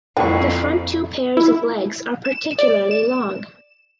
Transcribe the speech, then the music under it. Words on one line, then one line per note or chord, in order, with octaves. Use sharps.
The front two pairs of legs are particularly long.
F2 A#2 G3 D4 E4 G5 C#6
E4
E7
D5
E7